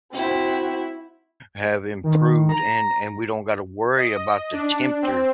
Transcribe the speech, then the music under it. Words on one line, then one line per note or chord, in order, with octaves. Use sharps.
have improved and and we don't got to worry about the tempter
C4 E4 F#4
D#3
A#5
D#5
D4
C4